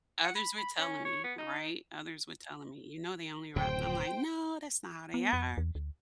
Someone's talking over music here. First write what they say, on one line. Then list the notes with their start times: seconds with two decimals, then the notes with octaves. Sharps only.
Others were telling me, th right? Others were telling me, "You know they only rot" And I'm like, "No, that's not how they are."
0.24 F#5
0.35 B5
0.58 B5
0.78 C#4
1.05 C#5
1.24 B3
1.39 D#4
3.56 D1 F#2 C#3 C5 G5
5.14 B3
5.33 F2
5.58 E2
5.75 D2